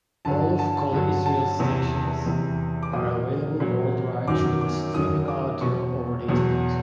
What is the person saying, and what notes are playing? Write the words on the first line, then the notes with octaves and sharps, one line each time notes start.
All of Kol Israel's stations are available worldwide through streaming audio over the Internet.
G2 D3 F#3 A5
A5
G2 D3 F#3
A5
E2 C3 E3
E2 C3 E3
D6
A#2 F#3 D#6
A#2 F#3
F#2 D#3 F#3 D6
D6
F#2 D#3 F#3 D#6
D6
E2 B2 F#3 C#6
E2 B2 F#3